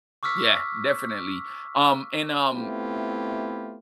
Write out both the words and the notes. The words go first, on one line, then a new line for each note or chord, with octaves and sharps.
Yeah, definitely, um and, um,
C#6 D6 E6 F6 B6
A3 B3 C4 E4 F4 G4